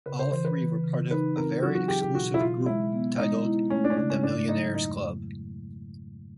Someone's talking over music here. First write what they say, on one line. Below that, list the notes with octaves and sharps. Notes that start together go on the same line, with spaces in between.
All three were part of a very exclusive group titled "the Millionaires' Club".
C#3 B4
C5
E3 C5
B4
E3
C#3
D#4 B4
C4 A#4
F#3 F#4
F#4
G4 G#4
G4
B2 F#4
E4
B2 F4
G#3 E4
B3
G#3 D#4
E4
A3 C#4
D4
C#4
C#3 D4
C#4
G#2 D4
F#3 D#4
F2 D#4